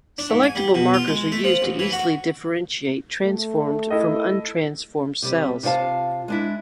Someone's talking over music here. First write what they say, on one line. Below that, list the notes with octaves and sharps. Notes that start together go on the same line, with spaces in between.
Selectable markers are used to easily differentiate transformed from untransformed cells.
D4
G#2
G#5
G3
B2
F4
G#3
A3
F3
A1
E3
F#4
A3
E4 A4 D#5
C3 G3
C3 F4 C#5 F5 A5
G#3 D4 E4